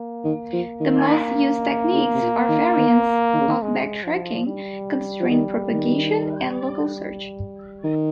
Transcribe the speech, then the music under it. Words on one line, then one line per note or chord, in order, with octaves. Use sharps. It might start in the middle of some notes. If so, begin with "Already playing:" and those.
The most used techniques are variants of backtracking, constraint propagation, and local search.
Already playing: A#3
D#3
F3
D#3
A#3
C#3
C3
A#2
D#3
D#3
D#3
C#3
D#3
G#3
F3
G3
F3
D#3
D#3
D#3